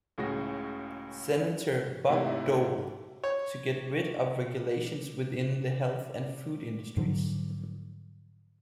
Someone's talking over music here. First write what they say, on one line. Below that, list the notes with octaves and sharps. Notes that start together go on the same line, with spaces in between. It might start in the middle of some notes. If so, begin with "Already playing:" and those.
Senator Bob Dole to get rid of regulations within the health and food industries.
C#2 A2 C#3 F#4 G#4 A#6
G#2 C3 A3 E4
C#5
G#2 D3 F3 F#3